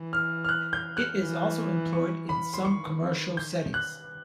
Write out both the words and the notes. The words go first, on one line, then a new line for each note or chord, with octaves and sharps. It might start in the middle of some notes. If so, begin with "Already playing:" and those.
It is also employed in some commercial settings.
Already playing: E3
F6
F6
F#6
G6
F#6
E3
C#6
B5
C6
D#3 C#6
G6
F#6